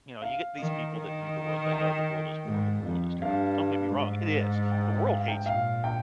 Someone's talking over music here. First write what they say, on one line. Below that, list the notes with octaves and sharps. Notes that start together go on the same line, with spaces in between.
you know, you get these people that view the world like, "Oh, the world is horrible, the world is terrible." Don't get me wrong, it is. The world hates you,
F5
D#3
D#3
G5
G#2
F2
G2 F5
G#2
G5
G5
F5
G5
A#2 F5
G5